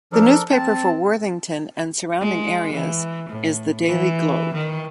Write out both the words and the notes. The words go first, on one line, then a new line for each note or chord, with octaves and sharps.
The newspaper for Worthington and surrounding areas is the Daily Globe.
F3 D4 A4 A#4
C4 A5
G#3
E3
A2
E3
D#3